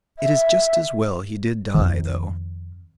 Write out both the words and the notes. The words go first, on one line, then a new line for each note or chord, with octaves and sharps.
"It is just as well he did die, though."
E5
F2 D#3